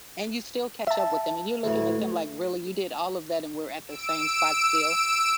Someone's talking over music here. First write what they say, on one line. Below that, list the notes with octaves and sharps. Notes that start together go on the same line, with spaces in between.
and you still catch up with them and you're looking at them like, "Really, you did all of that and we're at the same spot still?"
E5 A5
D2 A2 E3
E6 D7